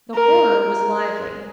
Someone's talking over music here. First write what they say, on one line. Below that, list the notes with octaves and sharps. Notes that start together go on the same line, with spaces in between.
The horror was lively.
A#4